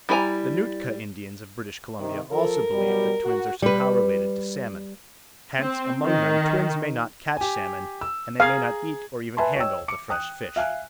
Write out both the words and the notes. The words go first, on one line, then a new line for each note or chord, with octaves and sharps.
The Nootka Indians of British Columbia also believe that twins are somehow related to salmon. Hence among them twins may not catch salmon, and they may not eat or even handle the fresh fish.
G3 E4 G#4 G#5 A#5
C3 D#3
F3 A4 A#4
B2 F#3 G3
F#4
G3 B4
C4
D#3
G4 G#5
E6
G#4 F5 A#5 G#6
B4 E5 G#5 A5 B5 C6
C#5 D#5 G5 E6
D6 C#7
G5 D#6 F#6
E5 F5 G#5 F#6